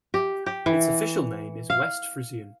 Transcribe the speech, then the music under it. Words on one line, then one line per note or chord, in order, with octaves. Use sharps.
Its official name is West Frisian.
G4
G4
E3
F5